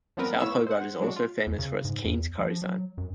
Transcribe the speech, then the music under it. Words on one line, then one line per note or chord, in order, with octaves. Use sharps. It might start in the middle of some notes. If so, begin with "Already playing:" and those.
South Hobart is also famous for its Keen's Curry sign.
F3 G3 B3 C4 A#4 B4
A2 B3 E4 C#5 F5 E6
C5 F#5
F#3 G#3 D4 F#4
F4
E2
C#3
G#2
E2
F3
F#3
F#2